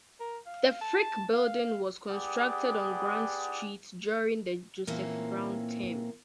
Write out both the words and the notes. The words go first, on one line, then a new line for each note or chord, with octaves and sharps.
The Frick Building was constructed on Grant Street during the Joseph Brown term.
A#4
F5
A5
F5
B3 G4 G#4 D5 F#5 D#6
A#2 E3 A#3 C4 C#4 A4